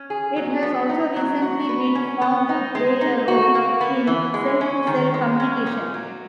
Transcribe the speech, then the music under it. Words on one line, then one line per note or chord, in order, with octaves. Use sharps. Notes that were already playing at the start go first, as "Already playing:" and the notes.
It has also recently been found to play a role in cell-to-cell communication.
Already playing: C#4
G#4
F#3
B3
D#4
F#3
F#4
B4
C#4
B3
D#4
G#3
D#4
F#4
A#3
B3
E3
G#3
C#4
D#3
G#3
C#4
A#2
F#3